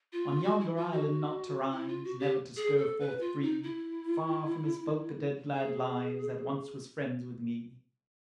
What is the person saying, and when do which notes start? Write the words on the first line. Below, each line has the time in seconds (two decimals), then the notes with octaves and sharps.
On yonder island, not to rise, Never to stir forth free, Far from his folk a dead lad lies That once was friends with me.
0.13 F4
0.44 F#4
0.61 E4
0.76 F4
0.92 F#4
1.72 E4
1.88 F4
2.04 F#4
2.19 G4
2.57 G#4
2.78 A4
3.00 B4
3.20 F4
3.42 D#4
3.63 E4
5.54 G#4